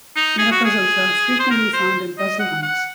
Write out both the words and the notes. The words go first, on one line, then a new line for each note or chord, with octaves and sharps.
Metapuzzles are frequently found in puzzlehunts.
D#4
G#4
F#4
G#4
C5
A#4
C5
D#5
F#5
F#5